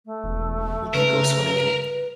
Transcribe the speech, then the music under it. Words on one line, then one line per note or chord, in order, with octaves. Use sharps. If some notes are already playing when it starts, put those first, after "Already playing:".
would you go swimming in it?
A3
E1
C#3 A#4 B4